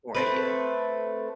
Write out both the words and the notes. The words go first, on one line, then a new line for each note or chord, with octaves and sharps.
for you.
A3 C4 B4